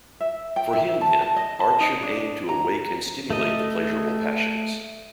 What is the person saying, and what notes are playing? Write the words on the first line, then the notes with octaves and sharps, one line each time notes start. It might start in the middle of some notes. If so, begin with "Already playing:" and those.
For him, then, art should aim to awake and stimulate the pleasurable passions.
E5
G5
E5
A5
A5
D#5
A5
D#4
D4
A#5
A3 D#5